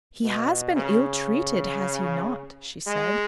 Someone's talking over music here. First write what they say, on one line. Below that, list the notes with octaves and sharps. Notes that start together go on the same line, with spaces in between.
"He has been ill-treated; has he not?" she said.
B2
C#3
G#3